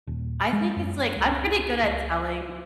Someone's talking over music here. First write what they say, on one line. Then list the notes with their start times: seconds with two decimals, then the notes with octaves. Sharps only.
I think it's, like I'm pretty good at telling,
0.07 D#1
0.53 G#3
0.76 F#2
1.16 C#2
1.83 C#2